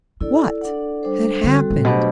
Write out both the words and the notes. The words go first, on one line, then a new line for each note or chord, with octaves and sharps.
What had happened?
D4 E4 A4 D5
D4 A4 D5 F#5
G3 D4 A4 C5
D3 G3 C4 F#4 A4
A2
B2 F#3 A3 D4 G4 C5